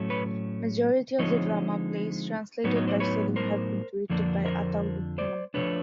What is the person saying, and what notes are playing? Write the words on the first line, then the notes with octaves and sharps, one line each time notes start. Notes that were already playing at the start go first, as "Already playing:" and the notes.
Majority of the drama plays translated by Selim have been directed by Ataur Rahman.
Already playing: A2 F#3 A3 C#4
B4 C#5
D3 F3 G#3 C4 D#4 C#5 D#5
A2 F#3 B3 D#4 B4 C#5
C#5 D#5
C5 D5
B4 C#5
A#4 C5
F2 D3 F3 A#3 D4
A#4 C5
C5 D5
C3 F3 A3 D4 B4 C#5